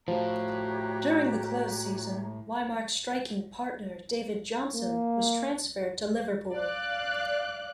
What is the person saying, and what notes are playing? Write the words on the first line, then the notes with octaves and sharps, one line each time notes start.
During the close season Whymark's striking partner David Jonson was transferred to Liverpool.
A2 F3 F#4 G4 C#5 A#5
A#3
D5 F5 F#6